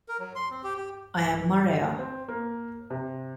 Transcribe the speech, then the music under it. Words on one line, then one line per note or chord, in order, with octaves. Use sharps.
I Am Mariah...
A#4
F#3
C6
C4
G4
G4
C4
A#3
C3